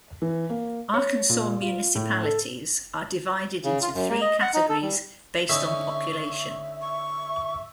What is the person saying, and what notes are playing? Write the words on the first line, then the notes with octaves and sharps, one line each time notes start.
Arkansas municipalities are divided into three categories based on population.
E3
A#3
C#5
A#2
F4
A2
A4
C#3
F4
F#2
A#3
D#5
F#5
D#4
A4
G3
D3 C#4 D#4 E5 C#6
C#6